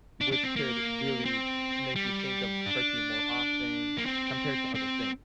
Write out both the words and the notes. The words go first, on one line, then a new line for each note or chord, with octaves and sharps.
which could really make you think of turkey more often compared to other things.
D4
D4
C4
A#3
C4
G3
D4
A#3
C4
C4